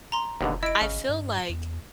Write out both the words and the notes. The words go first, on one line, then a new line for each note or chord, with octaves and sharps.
I feel like,
A#5 C6
F1 D#2 B2 D3
E4 D#5 D7
G#1 C#3
G2
E2